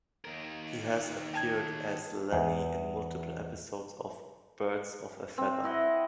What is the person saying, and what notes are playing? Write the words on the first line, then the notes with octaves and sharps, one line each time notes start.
He has appeared as Lenny in multiple episodes of "Birds of a Feather".
D#2 A#4
G5 A5 G#6
E2
C4
E4 D#5 F#5